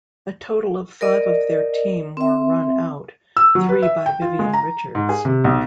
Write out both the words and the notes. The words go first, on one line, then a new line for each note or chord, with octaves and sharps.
A total of five of their team were run out, three by Vivian Richards.
A#4 D5 D#5
C4 E5
E6
F#3
B4
E5
G5
F4
G#3
A#5
G#2
G#4
C3
B1